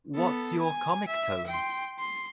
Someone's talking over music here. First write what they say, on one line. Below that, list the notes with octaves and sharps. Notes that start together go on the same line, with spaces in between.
What's your comic tone?
B3 A4
G#5
E5
G5 C6
C6